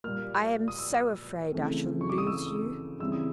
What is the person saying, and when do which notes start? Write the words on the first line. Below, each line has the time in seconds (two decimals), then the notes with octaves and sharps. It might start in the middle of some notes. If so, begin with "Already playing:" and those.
I am so afraid I shall lose you.
0.04 A#2 G3 A#3 F6
0.68 D#6
0.79 E6
1.52 C#3 E3 A3 C4
2.01 C#6
2.09 D6
2.18 D#6
2.27 E6
3.00 C#3 E3 G3 C4 E4 E6
3.12 D#6